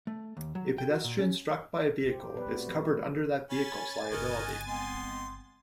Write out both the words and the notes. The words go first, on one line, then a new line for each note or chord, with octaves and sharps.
A pedestrian struck by a vehicle is covered under that vehicles liability.
A3
D#2
F#3
G5
F#4
A#2
C#4
G4 C5
A#2 B3 B4 D5
A3 C4 F#4
F3 F#3
A3
C#4 G#5 B5 A6
G1 C#3 B3 F#4 A#4 D#5
G#3 B3 C4 C6